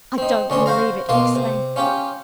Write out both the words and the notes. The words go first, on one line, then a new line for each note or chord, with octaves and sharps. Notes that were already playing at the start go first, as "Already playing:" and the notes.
'I don't believe it,' he exclaimed.
C4 D#4
D2 C#4 D4 C6
F#4 C5 F5 A#5
B2 A#3 F4 C6
C3
C#4 F4 G4